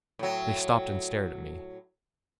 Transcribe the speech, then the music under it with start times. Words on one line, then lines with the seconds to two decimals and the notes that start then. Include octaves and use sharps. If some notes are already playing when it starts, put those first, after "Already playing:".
They stopped and stared at me.
0.19 A2 F#3